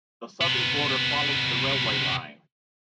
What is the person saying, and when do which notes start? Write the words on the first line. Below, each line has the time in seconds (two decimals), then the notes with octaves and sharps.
The southern border follows the railway line.
0.41 C3 B3